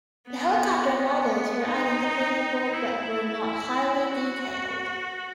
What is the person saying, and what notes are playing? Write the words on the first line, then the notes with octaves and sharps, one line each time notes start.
The helicopter models were identifiable but were not highly detailed.
B3
B3
D#4
D#4
E4
E4
F#4